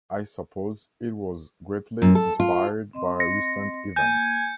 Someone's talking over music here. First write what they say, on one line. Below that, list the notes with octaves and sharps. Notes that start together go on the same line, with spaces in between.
I suppose it was greatly inspired by recent events.
F#2
A4
F4
C4 D#5 C6
A#6 C#7
A#3 G#5 G6